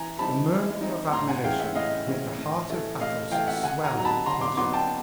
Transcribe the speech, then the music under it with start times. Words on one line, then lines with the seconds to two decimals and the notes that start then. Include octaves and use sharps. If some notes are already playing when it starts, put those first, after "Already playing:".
A murmur of admiration made the heart of Athos swell with pleasure.
Already playing: E3 G#5 A#5
0.19 G3 C4 D#4 A5 B5
0.51 E3
0.81 G3 C4 D#4
1.12 A2 A#5 C6
1.28 F#5 G#5
1.44 E3 G#3 C#4 F5 G5
1.59 E5 F#5
1.75 A2 D#5 F5
2.07 E3 G#3 C#4
2.38 A2
2.70 E3 A3
3.00 A2 D#5 F5
3.32 E3 A3 F5 G5
3.47 E5 F#5
3.63 D3 F#5 G#5
3.84 G#5 A#5
3.94 F#3 B3 D#4 A#5
4.05 A5 B5
4.26 D3 A#5 C6
4.41 C6 D6
4.57 F#3 B3 D#4 C6 D6
4.73 G5 A5